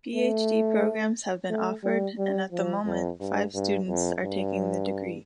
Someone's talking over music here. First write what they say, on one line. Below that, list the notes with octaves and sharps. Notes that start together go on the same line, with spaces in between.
Ph.D.-programmes have been offered and at the moment five students are taking the degree.
A3
A3
G3
G3
F3
F2
G2
G2
F2
G2